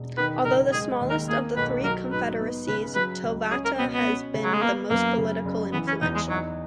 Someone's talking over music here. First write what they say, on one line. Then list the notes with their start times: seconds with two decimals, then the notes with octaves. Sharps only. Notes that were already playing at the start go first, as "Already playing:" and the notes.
Although the smallest of the three confederacies, Tovata has been the most politically influential.
Already playing: E1
0.18 D#3 B4
0.45 F#1 A#4
0.73 G#3 G#4
1.01 D#2
1.10 A#4
1.29 A#3 G#4
1.56 B1 B4
1.84 F#3 A#4
2.12 G#2 B4
2.40 B3
2.68 C#3 B4
2.95 F#3 B4
3.23 C#2
3.51 C#4 G#4
3.65 A#4
3.79 B2 B3
3.93 B3
4.07 C#4
4.34 C#3
4.44 F#3
4.54 G#3
4.62 A#3 B3
4.90 F#2 A#3
5.18 C#3
5.45 F#1
5.73 E3 B3
5.87 C#4
6.01 E2 D#4
6.15 G#3
6.29 F#3 D#4